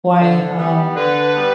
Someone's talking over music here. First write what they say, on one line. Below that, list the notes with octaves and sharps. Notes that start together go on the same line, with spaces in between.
why um
D3
G3 B3
D3 B4
G3 B3